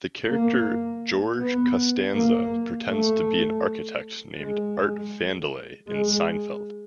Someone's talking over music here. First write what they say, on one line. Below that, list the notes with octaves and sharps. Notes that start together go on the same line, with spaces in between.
The character George Costanza pretends to be an architect named "Art Vandelay" in "Seinfeld".
A#3
B3
A#3
A3
G#3
G#3